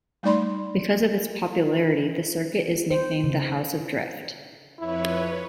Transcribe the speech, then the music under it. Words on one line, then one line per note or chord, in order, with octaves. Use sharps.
Because of its popularity, the circuit is nicknamed the "House of Drift".
G3 A3 D#4 D5 B5 C6
C5
C#3
F2 E4 B4 C#5